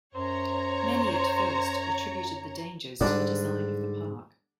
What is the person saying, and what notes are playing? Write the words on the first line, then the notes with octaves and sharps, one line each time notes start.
Many at first attributed the dangers to the design of the park.
F#2 C5 C#5 A#5
G#2 D3 G3 D4